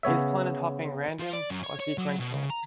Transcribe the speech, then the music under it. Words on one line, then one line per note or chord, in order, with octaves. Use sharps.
Is planet hopping random, or sequential?
C#3 B3 C#5 E5
F3
D5
F#2
C#5
C#5
F#3
B2
C#3
A#5